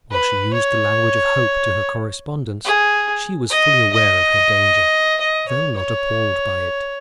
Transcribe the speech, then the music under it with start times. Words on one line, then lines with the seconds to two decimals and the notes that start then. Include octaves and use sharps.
While she used the language of hope to her correspondents, she was fully aware of her danger, though not appalled by it.
0.11 B4
0.54 C#5
2.65 G#4
3.50 D#5
3.93 D#5
5.21 D#5
5.48 C#5
5.76 C#5